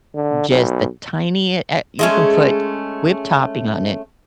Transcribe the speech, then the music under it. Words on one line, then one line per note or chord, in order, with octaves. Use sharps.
just the tinie eh, you can put whipped topping on it
D3
B1
G#3 A3 C#4